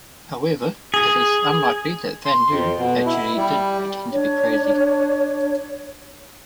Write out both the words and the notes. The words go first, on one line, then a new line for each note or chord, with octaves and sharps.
However, it is unlikely that Van Lew actually did pretend to be crazy.
G#4
C6
F2
B2
E4
G3
D4 C#5